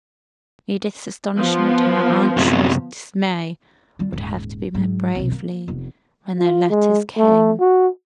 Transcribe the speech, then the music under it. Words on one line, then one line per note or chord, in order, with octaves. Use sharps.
Edith's astonishment and her aunt Shaw's dismay would have to be met bravely, when their letters came.
F3 B3
F#2 C3
G3 F4
D#1 G#2
G#2 F#3
C2 B2
A#3
F1 B3
F4
G#3
A3
F#4